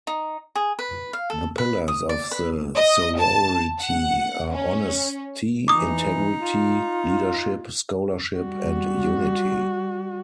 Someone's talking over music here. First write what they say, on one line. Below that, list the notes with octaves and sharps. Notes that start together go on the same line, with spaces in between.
The pillars of the sorority are honesty, integrity, leadership, scholarship and unity.
D#4
G#4
B4
F5
A4
B4
D#6
D5
B4
D#5
A5
F#5
C#4
E3 D#4 D6 D#6
F4
G3 F#4